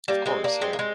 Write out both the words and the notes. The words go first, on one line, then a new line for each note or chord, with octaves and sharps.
Of course, yeah.
G3 A#3
G#3 C4
A#3 D4
G#3 C4
A#3
G#3 C4